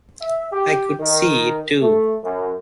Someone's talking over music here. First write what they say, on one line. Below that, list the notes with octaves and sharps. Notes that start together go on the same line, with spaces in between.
I could see it too.
E5
G4
D#3
A3
F#2